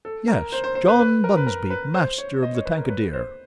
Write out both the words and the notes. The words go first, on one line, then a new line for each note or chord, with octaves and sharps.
"Yes; John Bunsby, master of the Tankadere."
A4
A#4
C5
C5
C5
B4
B4
A#4
B4
A#4
B4
C5
C#5
D#5
C#5
B4
A#4
B4
C5